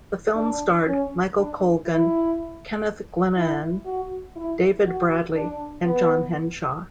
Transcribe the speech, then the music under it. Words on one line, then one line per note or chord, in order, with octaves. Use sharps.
The film starred Michael Colgan, Kenneth Glenaan, David Bradley and John Henshaw.
D4
C#4
D4
E4
E4
F#4
E4
F#4
D4
B3